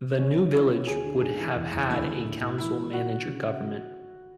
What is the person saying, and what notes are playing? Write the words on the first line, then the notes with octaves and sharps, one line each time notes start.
The new village would have had a council-manager government.
C#3 C#4
C#3
E4 F#4
F#4
D2 G#4
D3
G#2 G#4
E3
E2
E2
D2 E4
D2
A2
A2
E3 E4
G#3
E4 F#4
D3
C#3